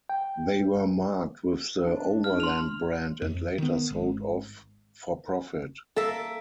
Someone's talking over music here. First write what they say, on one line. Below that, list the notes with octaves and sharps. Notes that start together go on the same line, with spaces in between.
They were marked with the "overland" brand and later sold off for profit.
G5
D4
F6
C6 F7
F2
D#3 B3
G#1
A#3 A4 E5